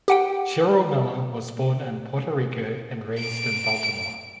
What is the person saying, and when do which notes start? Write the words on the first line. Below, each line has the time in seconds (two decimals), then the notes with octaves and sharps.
Cheryl Miller was born in Puerto Rico and raised in Baltimore.
0.08 G4 F#5 G5
3.20 D7